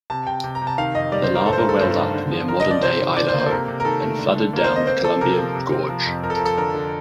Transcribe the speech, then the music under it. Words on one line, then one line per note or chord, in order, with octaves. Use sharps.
The lava welled up near modern-day Idaho, and flooded down the Columbia Gorge.
C3 A5
C3 G5
C3
A#5
C3
A5
D#3 F5
F2 D#5
G3 D5
C5
D#3
A#4
G2 A4
C5
A#4
A3
A4
G2 C5
D#3
D3
F3
D3 A#4
D#5
F3
D5
C3 C5
D#3
D4 D5
C5
A#3
C5
A4
C3 A#4
C3
A#4
D#3 A4
A3
D3
D3
A#3 A#4
C5
A#3
D#5
C4 C5
C4 A4
C3 A#4
F3
C3
C4
F3
F2
F3 A#4
A4
A#4
F3
A4
D3 A#4
D3